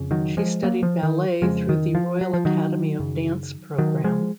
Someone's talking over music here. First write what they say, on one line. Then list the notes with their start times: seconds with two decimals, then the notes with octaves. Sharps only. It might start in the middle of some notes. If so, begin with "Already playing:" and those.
She studied ballet through the Royal Academy of Dance programme.
Already playing: F2 C#3
0.11 D#3 F#3
0.37 F3 G#3
0.63 F#3 A#3
0.83 F3
1.03 D#3
1.42 F2 C#3 F3 G#3
1.69 D#3
1.95 F3
2.21 F#3
2.34 F3
2.45 D#3 F#3
3.00 F#2 C#3
3.78 D#3 F#3
4.04 F3 G#3